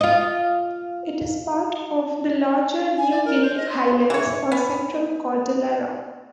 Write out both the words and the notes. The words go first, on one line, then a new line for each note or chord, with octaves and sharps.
It is part of the larger New Guinea Highlands or Central Cordillera.
F4 D#5
G#5
D5
A#4
C5
D#5
C6
E3 C#5
B3